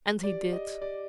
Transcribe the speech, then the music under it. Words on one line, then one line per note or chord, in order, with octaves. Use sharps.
And he did.
G4 D5
D#5
G4 D5